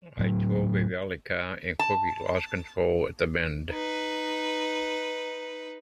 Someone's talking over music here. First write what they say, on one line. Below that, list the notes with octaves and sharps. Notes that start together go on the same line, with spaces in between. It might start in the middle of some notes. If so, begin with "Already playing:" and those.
I drove a rally car and quickly lost control at the bend.
A2 F#3
A5
D#4 B4